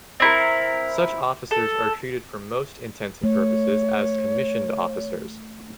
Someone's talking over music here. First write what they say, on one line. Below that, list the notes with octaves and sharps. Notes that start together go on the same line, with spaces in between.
Such officers are treated for most intents and purposes as commissioned officers.
C4 E4 A#4
A4
A3 C#5